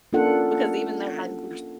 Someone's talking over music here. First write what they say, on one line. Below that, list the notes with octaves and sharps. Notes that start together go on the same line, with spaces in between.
because even though I used
A#3 C#4 D4 F4 A4 F#5